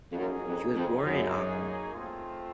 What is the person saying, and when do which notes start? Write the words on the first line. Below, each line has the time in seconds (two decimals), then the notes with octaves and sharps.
She was born in Auckland.
0.12 F2
0.17 F#2 A#3 D#4 G#4 C#5
0.47 F2
0.76 F2
1.05 F#2
1.93 A3 C4 F4